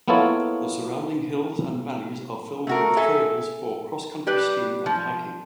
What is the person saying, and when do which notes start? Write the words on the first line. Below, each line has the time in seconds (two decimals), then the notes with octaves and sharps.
The surrounding hills and valleys are filled with trails for cross-country skiing and hiking.
0.08 A#3 B3 E4 F4 A4 C#5
2.67 A3 F#4 A#4
2.97 A4 E5 G#5
4.27 G3 G4 B4
4.86 F3